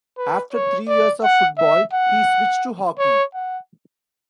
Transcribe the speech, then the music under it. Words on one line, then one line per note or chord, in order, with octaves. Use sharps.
After three years of football he switched to hockey.
B4
C#5
D5
F#5
E5
F#5
C#5
F#5